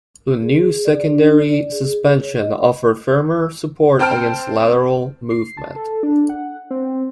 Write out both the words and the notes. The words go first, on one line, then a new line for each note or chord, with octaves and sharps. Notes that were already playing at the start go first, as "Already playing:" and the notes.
The new secondary suspension offered firmer support against lateral movement.
G#4
D5
D4
D5
G#4
C#5
D#5
C4 C5 G5 A5 F6 D7
C7
A5
A4
D4
F#5
C4